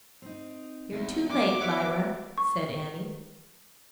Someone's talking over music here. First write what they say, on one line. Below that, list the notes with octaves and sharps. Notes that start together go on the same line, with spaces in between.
"You're too late, Lyra," said Annie.
C4 D#4
E2
B3 F#4 D5 D6
C#5 E5 F#5
C#6